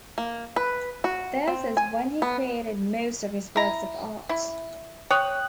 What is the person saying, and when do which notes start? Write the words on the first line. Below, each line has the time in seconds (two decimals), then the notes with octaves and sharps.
This is when he created most of his works of art.
0.18 A#3
0.56 B4
1.04 F#4
1.48 C4
1.77 G#5
2.22 B3
3.56 E4 A#5
4.29 E4
5.11 C#5 G5 D#6 F#6